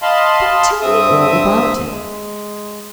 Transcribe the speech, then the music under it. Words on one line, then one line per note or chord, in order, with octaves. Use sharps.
But tell me all about it!
D#5 F5 A5 B5 C6
G2 C4 E5 D#6
G#3